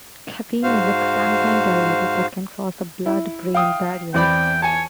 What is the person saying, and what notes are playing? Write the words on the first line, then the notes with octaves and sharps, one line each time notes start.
Caffeine is a xanthine derivative that can cross the blood-brain barrier.
G#2 F#4 C5 F5
E4
F5 G5 D#6
E2 C4 D5 G5 B5
C#5 G#5 A5